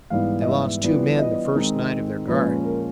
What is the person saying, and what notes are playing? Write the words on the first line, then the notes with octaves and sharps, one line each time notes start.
They lost two men the first night of their guard.
G#2 E3 G3 B3 F5
D#5
E5
E3 G3 B3 D4 F4
D#5
D#3 G#3 C4 D#4
A#2 F3 G#3 C#4 B4
A#4